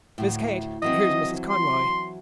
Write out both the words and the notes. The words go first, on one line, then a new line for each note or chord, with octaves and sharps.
"Miss Kate, here's Mrs. Conroy."
D2 A2
E3 F#3 C4 D#5
C6